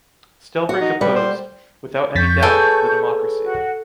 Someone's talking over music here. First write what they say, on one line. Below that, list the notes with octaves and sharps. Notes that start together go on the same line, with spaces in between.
Stellbrink opposed, without any doubt, the democracy.
F#4
D#4
G3 B4
C5
F2 C#6 G6 A6 B6
G#4 A4 B4 C#5 G5 G#5
F#4